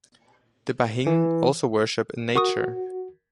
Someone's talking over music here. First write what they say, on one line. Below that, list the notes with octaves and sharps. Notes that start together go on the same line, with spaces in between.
The Bahing also worship in Nature.
E3
F#4 A#4 C#6 D#6